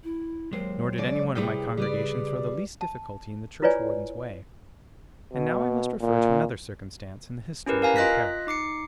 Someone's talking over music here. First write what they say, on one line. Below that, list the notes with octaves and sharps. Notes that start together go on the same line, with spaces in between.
Nor did any one of my congregation throw the least difficulty in the churchwarden's way.--And now I must refer to another circumstance in the history of my parish.
E4
D#2 F#3 G#3 C5
C#3 D5
C2 C3 G3 E4 G#4 B4 G5
C#3 G3 B4 D5
A5
E4 F4 B4 C#5 D5 G#5
B2
A#2
C#4 E4 G4 A#4 B4
A#4 F5 G#5 A#5
F4 D#5 F#6 A#6 B6
D#4 D6 C7 C#7